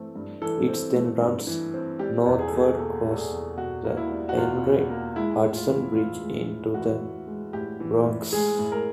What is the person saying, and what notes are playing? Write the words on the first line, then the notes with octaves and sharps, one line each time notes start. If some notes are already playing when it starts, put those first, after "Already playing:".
It then runs northward across the Henry Hudson Bridge into the Bronx.
Already playing: E3 A3 C4
G2
E3 A4
C4
A3
G2
E3
C4
G3 G4
E2
G#4
A4
B2 G#4
A#3 A4
G3
A4
G#4
E2
B2 F#4
A#3
E4
G3
F#4
E2 F4
B2
A#3
G#3 E4
A2
F4
E3
A2 F4
G#3
A2
E3 F#4
A2
G#3
A2 G4
E3
A2
G#3 G#4
A2
A#4